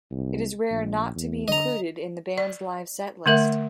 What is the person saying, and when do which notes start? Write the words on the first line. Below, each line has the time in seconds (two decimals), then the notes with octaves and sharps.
It is rare not to be included in the band's live setlist.
0.11 C2
0.71 A#1
1.15 E2
1.48 D3 D#5 A#5
2.38 D5
3.26 D3 A3 A#4 E5